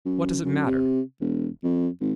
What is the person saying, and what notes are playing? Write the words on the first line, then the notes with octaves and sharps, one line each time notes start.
What does it matter?
F#2
F#2
C3
E1
F2
G#1